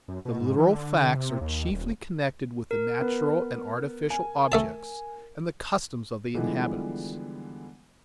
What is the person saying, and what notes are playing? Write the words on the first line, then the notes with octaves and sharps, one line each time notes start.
The literal facts are chiefly connected with the natural and artificial objects and the customs of the inhabitants.
F#2
B2
G#2
E3
D3
C3
D#2
D#1
A#4
B3
G#5
A3 E5 A5
D3 E3 F3 G3 G#3 B3